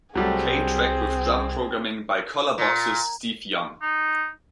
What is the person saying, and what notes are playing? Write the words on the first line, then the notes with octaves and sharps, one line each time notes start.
Kane track with drum programming by Colourbox's Steve Young.
C2 F#3 G3 A3 C4 G#4
A#2
D#4